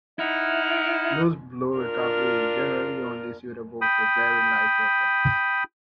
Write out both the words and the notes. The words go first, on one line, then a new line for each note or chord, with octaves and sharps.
Nose-blow recovery is generally only suitable for very light rockets.
D#4 E4 F#5 F6
D4 F4 A#4
G5 B5 D#6